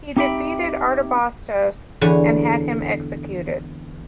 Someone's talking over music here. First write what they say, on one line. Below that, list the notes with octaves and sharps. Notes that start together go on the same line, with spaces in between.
He defeated Artabasdos and had him executed.
C4 D#4 G4 E5 G5 B5
E2 D3 C#5 G#5 B5